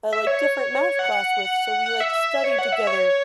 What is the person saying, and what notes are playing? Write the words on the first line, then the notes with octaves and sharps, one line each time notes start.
a, like, different math class with, so, we, like, studied together.
E5
C#5
F#5
F#5
E5
E5
C#5
F#5
E5
C#5